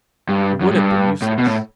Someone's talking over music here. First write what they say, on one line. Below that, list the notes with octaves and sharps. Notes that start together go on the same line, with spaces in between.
It would have been useless.
G2
F#2
A2
G2
A2
B2
A2